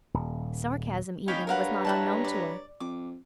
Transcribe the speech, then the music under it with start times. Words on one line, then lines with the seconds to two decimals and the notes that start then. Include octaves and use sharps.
Sarcasm, even, was not unknown to her.
0.14 D#1
1.28 D1 D#4 C#5 F5 G5 G#5 B5
1.47 G2 A#4 B4 C#5 F5 F#5 A#5
1.85 E4 F#5 A5
2.24 D5
2.80 F2 D6